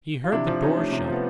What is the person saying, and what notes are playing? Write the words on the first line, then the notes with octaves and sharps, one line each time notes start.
He heard the door shut.
F4
C3 D4 E4
F3
E4
C3 C#4 D#4
A3
C3
F3 B3